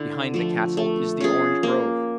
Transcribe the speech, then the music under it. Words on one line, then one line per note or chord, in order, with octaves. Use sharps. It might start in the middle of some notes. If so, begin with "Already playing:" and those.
Behind the castle is the orange grove.
Already playing: D3 E4
F3 A3
A3
C#4 F4 G#4
A#3